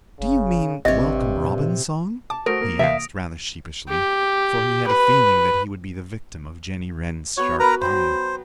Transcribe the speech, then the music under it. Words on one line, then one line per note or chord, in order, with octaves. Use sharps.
"Do you mean Welcome Robin's song?" he asked rather sheepishly, for he had a feeling that he would be the victim of Jenny Wren's sharp tongue.
F#1 C#3
G#1 G2 C3 C#5 D#5 E5
A#2
A5 D6
A3 F#4 A#4 C5 D#6 A#6 D7
A#3
C3 E3 E5 F5
G4
B4
B3 F#4 C#5
B3 A#4 B4 A#5 B5
F#3 C5 G5 B5